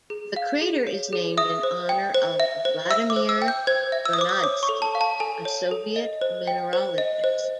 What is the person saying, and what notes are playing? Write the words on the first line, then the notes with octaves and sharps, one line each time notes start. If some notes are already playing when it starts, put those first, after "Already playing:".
The crater is named in honour of Vladimir Vernadsky, a Soviet mineralogist.
G#4
F5
G#4
C#5
G#4
E5 D#6
C5
G5
C5
E5
C5
E5 E6
D6
C5
E6
G5
G6
C5 G#6
E5
E6
D#6
C5 D6
D#6
C#5 D6
C#6
A4
A5
F5
A5
A4 G#5
C#5
A4
D#5
C5
G5
C5
D#5
C5